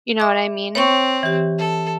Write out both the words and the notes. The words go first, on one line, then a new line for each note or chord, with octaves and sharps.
you know what? I mean,
E5 D6
C4 C#5 C#6
E3 G4
A4